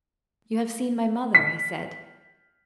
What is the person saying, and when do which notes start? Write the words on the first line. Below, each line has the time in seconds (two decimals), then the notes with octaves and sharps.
"You have seen my mother," I said.
1.35 B6